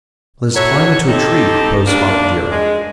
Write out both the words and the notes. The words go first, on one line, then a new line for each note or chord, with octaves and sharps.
"Let us climb into a tree," proposed Spotted Deer.
F#3 E4 F#4 A4 C#5
C4 D#4 G4 A4
D#2 B2 A#3 D4
G#3